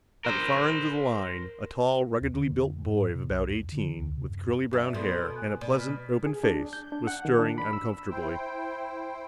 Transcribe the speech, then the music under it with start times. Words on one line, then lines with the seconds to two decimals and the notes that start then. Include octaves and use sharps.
At the far end of the line, a tall, ruggedly built boy of about eighteen, with curly brown hair and a pleasant, open face, was stirring uncomfortably.
0.25 A#4 C5
2.21 D#2
2.34 D3
2.52 F2
2.87 G#2
3.14 C3
3.30 B1
3.48 F2
3.72 D3
3.98 D2
4.16 C3
4.29 F#2
4.73 F#2 D5 E5
4.95 B2 A4 C6
5.36 G#5 F#6
5.61 B2 D5
5.77 B4 F6 B6
6.26 G#4
6.43 D4
6.73 G6
6.92 D4
7.07 F#5
7.25 D#3
7.39 D4
7.58 B5
7.73 E6
8.11 E4 C5 G5